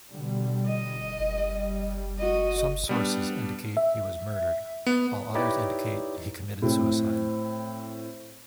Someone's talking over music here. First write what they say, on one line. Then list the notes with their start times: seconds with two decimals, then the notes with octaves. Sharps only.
Some sources indicate he was murdered, while others indicate he committed suicide.
0.12 B2 D3 G3
0.66 D#5
1.19 G3
2.18 F#4 D#5
2.89 G3 B3 D4
3.77 E5
4.86 B3
5.35 D#4 E4 G4 B4 C#5 D5
6.62 A2 C4